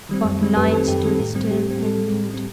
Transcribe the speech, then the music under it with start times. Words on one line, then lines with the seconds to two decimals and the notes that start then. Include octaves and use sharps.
But Night stood still and mute.
0.09 D#3 G3 C4
0.25 F#2
0.41 D#3 G3 C4
0.56 F#2 G4 B4
0.72 D#3 G3 C4 A4
0.88 F#2 G4
1.04 D#3 G3 C4 A4
1.19 A2 G4
1.35 G3 C4
1.51 A2 G4
1.67 G3 C4
1.82 A2 A4
1.98 G3 C4
2.14 A2
2.30 G3 C4